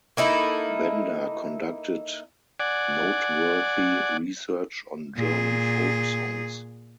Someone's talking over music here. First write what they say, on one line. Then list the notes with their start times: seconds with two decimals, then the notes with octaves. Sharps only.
Bender conducted noteworthy research on German folk songs.
0.17 A#3 D#4 E4 A4
2.60 D5 F#5 G#5
5.17 A#2 G#4